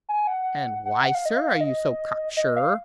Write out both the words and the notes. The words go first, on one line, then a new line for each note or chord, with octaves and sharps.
"And why, sir, are you so cock sure?"
G#5
F#5
F#5
F#5
F5
D#5
F5
D#5
D#5
F5